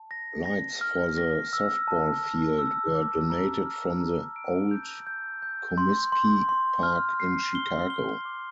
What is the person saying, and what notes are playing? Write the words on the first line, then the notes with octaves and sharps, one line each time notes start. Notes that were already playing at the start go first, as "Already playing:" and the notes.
Lights for the softball field were donated from the old Comiskey Park in Chicago.
Already playing: A5
A#6
A#6
F6
A#6
E6
A5
E6
E6
D6
A#5
F6
A#5
D7
G6
G6
G6
C6
C6
C6
F6
C7
G7
G7
D6